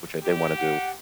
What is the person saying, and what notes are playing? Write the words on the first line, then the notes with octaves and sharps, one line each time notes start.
which I didn't wanna do."
G4
F#5